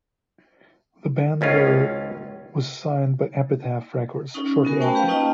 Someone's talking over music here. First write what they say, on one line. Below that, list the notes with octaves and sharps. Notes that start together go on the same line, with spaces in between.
The band were was signed by Epitaph Records shortly after.
G#1 C#2 C#4 F4
C#4 D#4
B3 F#4 A#4 G#5
A3 C#4 C5 G5 A5 B5
G4 B4 F5 A5
A#3 C#4 D#4 F4 D#5 G5